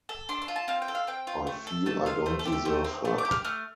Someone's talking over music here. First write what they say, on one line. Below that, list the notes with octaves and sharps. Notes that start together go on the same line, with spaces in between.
I feel I don’t deserve her.
A4
D4 C6
C6
F4
A5
C4 F5
G5
A4
F5
C4 G5
F4
A3
A4
A3 A5
F4 F5
A3 C5
A4
G4 C5
A4
A3 C5
C4
A3 D5
D6
G4
F6
A3 F6